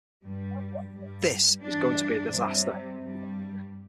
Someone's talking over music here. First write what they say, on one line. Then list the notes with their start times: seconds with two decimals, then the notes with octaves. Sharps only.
This is going to be a disaster.
0.23 G2 G3
0.93 G2 G3
1.62 G2 E3 G3 D4
2.30 C3 G3
3.01 G2 G3